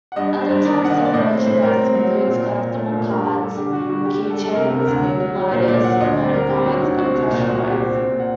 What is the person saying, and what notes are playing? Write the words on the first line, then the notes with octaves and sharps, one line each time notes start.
Other types of merchandise includes collectible cards, keychains, lighters, phonecards and plush toys.
F#5
G2 D#5
G2
C5
G2
D#3 D5
D#3 F#5
D#5
A#3
D5
A2 D#5
C4
A2 C5
A2 A#4
C4
F#3
C4
A#2
A#2
A#2
A3
A#2
G2 A#4
G2 G4
G2 A4
D3 G4
D3 F#4
G2 F#4
G3 G4
G3
A4
G3
A4
C3 A#4
C3
A#4
D2
F#3
F#3
F#3
A#2 C5
A#2 D5
F#3 F#5
D2 D#5
C4 D5
D2 A#4
C4 G4
F#3 F#4
D2 D#4
C4 F#4
C2
D#4
A#2
A#2 F#4
C2
G4
C4
C4
A#2
F#5